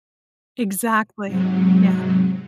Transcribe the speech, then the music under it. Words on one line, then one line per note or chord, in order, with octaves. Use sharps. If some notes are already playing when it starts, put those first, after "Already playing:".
Exactly. Yeah.
G#2 C3 F#3